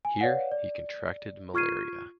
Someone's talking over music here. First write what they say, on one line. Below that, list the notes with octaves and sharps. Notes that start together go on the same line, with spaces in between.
Here he contracted malaria.
G#5
B4 C#5 D5 F5 F#5
D5
F4 C#6 F6 G#6 C7 D#7